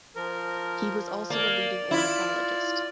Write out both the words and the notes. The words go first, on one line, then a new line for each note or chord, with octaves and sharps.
He was also a leading ornithologist.
F3 A#4
A#3 D5
E4 F4